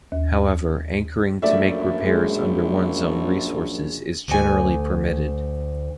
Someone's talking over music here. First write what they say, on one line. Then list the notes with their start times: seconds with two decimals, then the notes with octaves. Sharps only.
However, anchoring to make repairs under one's own resources is generally permitted.
0.12 D#2
1.42 A#1 F#2 A3 D5 E5
2.05 G#3
4.28 D2 G#5